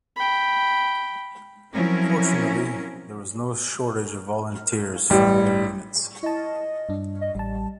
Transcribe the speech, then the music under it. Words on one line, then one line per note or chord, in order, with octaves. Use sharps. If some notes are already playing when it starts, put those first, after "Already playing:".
Fortunately there was no shortage of volunteers from other units.
G5 B5
F3 F#3 C4 C#4 E4 A#4
A1 G3
E4 D#5 A5
G2 D4
D#5
A1 G3 A5